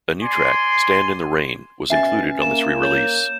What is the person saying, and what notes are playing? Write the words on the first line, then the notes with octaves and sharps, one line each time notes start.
A new track, "Stand in the Rain", was included on this re-release.
D5 G#5 C6
B2 C#4 E5 G#5 A6
A#3 E7
C#5 G6